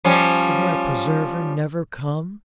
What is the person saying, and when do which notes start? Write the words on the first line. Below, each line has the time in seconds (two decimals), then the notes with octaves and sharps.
Did my preserver never come?'
0.04 F3 G3 C#4